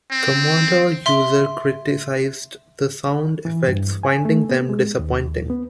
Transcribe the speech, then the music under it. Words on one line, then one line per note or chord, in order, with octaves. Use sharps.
"Commodore User" criticised the sound effects, finding them "disappointing".
C4
E5 C6
E3
G2
G#5
A3
B3
G#3
D#2
B3